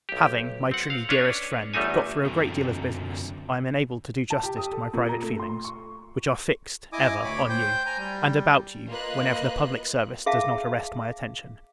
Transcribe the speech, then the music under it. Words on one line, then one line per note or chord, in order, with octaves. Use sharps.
Having, my truly Dearest Friend, got through a great deal of business, I am enabled to do justice to my private feelings; which are fixed, ever, on you, and about you, whenever the public service does not arrest my attention.
B1 G4
C4 F#5
F5
C#4 D4 B4 C#5
G1 E2 G3 A3 D#4 G#5
F#2 D3 F#3 C4 A4
A5
G4
D#6
A4
A#2
A#5
A3
C6
C#6
E4 D#5 G#5 D6 D#6
D2 C#5 B5 D6
C5 G5 G6
G#5 A#5 G6
G3
A#3 F4 B4 D#5 F#6
G#4 E5 F5 A5